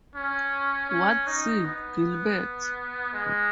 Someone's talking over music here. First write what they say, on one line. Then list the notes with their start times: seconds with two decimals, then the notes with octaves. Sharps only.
Ward C. Gilbert.
0.15 C#4
0.89 C#4
1.27 D#4
1.65 B3
3.13 G#3